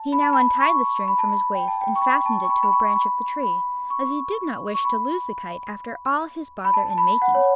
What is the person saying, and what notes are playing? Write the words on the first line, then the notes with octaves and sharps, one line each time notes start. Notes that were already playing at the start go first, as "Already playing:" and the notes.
He now untied the string from his waist and fastened it to a branch of the tree, as he did not wish to lose the kite after all his bother in making it.
Already playing: A5
B5
A5
B5
C#6
B5
A5
B5
G5
A5
G5
C#6
B5
A5
C#6
B5
B5
C#6
C#6
B5
B5
C#6
C#6
B5
B5
A5
A5
B5
F#5
C#5